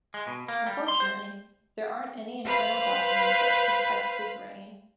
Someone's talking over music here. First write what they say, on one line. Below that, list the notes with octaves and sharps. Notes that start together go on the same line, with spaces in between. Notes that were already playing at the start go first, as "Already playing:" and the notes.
Unfortunately, there aren't any internal documents that could attest his reign.
G#3
B2
A#3
G3
C6
C5
B4 C5 F5 B5